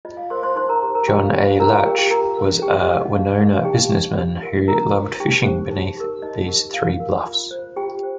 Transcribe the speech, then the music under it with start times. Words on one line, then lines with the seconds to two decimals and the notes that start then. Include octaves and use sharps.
John A. Latsch was a Winona businessman who loved fishing beneath these three bluffs.
0.05 F4 D#5
0.17 F5
0.30 A#4 C5 C6
0.43 C5 C6
0.56 D#4 C5 C6
0.69 A#4 A#5
0.82 G4 C5
0.95 A#4 A#5
1.08 F4 G4 G5
1.20 F5
1.33 G4 C5 G5
1.46 F5
1.59 F4 A#4 A#5
1.72 F5
1.85 G4 A#4 G5
1.98 G4 G5
2.11 F4 A#4 A#5
2.37 A#4
2.62 D#4 G4 G5
2.76 D#5
2.88 G4 C5 F5
3.01 D#5
3.13 D#4 F5
3.27 D#5
3.40 A#4 D#5
3.53 F5
3.65 D#4 G4 G5
3.90 C5
4.16 F4
4.42 A#4
4.68 F4 A#4 A#5
4.94 C5
5.20 D#4 G4 G5
5.45 G4 C5
5.71 D#4
5.97 G4 A#4
6.22 D#4 D#5
6.48 G4 A#4
6.74 F4 F5
7.00 A#4
7.26 F4
7.51 C5
7.76 F4 G4 G5
8.03 C5